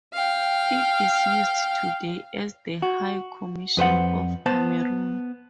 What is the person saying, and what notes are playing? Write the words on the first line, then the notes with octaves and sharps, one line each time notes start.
It is used today as the High Commission of Cameroon.
F5 G5
F#4
F2 B4 C5 F#5
B3 C5 A5